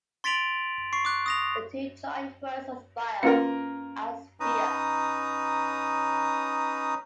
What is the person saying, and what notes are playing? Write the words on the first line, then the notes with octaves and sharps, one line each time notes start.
The two joined words are "bio" and "sphere".
C6 A6 B6 D7 F7 F#7
C#6 C7
D6 F#6
D#6 A#6 F7
A#3 C#4 F4 A#4 B4
C#4 D#4 B4 A#5 D#6